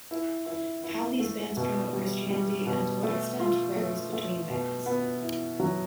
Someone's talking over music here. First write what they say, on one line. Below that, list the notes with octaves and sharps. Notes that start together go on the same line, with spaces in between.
How these bands promote Christianity, and to what extent, varies between bands.
E4
E4
E4
A3
B2
G3
G3
B2
A3
F4
A3
A3
B2
B3
E4
F#3